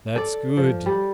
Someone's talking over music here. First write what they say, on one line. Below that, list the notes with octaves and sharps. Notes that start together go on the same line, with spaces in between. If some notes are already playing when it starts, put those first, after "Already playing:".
That's good!
A4 D5
F3
G3